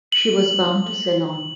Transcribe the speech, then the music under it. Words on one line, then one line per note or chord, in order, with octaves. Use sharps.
She was bound to Ceylon.
F#7